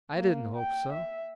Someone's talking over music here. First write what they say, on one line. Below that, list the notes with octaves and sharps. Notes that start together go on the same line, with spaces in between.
I didn't hope so.
A#3
G5
E5